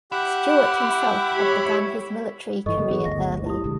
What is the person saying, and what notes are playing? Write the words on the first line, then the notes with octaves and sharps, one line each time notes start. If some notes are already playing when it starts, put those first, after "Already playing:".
Stewart himself had begun his military career early.
E4 G4 F#5
G4 C#5 B5
G2 E3 A4 D#5 C#6
C#3 G3 A#3
E3 B3 G#4
G1 D2 A#6
E4 G4 D#6
A#1 D3 G#3